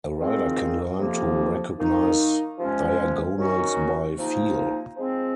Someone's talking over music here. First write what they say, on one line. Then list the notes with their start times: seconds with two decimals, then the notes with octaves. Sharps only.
A rider can learn to recognize diagonals by feel.
0.19 D#3 G#3 C4 F4
0.98 F2 C3 F3 A#3
1.79 D#3 A#3 D#4
2.58 C3 F3 G#3 C#4
3.38 D#3 F#3 C#4 F#4
4.17 C3 F3 A#3 D#4
4.97 F3 G#3 C4